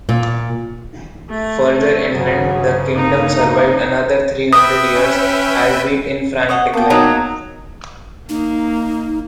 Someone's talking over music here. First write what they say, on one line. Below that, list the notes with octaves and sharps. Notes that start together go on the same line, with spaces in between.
Further inland, the kingdom survived another three hundred years, albeit in frank decline.
A#2
A3
G2 C#3 F#3 G#4
A#3 D#4
B4 E5 G5 D#6
C#4
C#5 D#5 F#5
A#3 B3 G5 A5
F#3 D#4
A#3 D#4